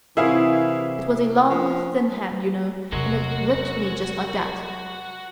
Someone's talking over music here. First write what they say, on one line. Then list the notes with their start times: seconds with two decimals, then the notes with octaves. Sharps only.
"It was a long thin hand, you know, and it gripped me just like that."
0.17 C3 E3 E4 F#4 G#4 A#4 F5
1.49 F3
2.93 E2 C3 F#3 G#3 F#4 A#4